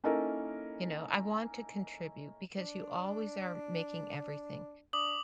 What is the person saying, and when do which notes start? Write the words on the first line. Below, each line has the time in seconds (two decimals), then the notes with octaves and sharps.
You know, I want to contribute because you always are making everything."
0.04 A#3 C#4 D#4 E4 A4 A#4
2.58 D4
4.93 D4 D6 D#6 F#7